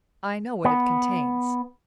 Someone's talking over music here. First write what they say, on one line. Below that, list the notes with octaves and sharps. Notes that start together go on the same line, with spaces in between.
I know what it contains.
B3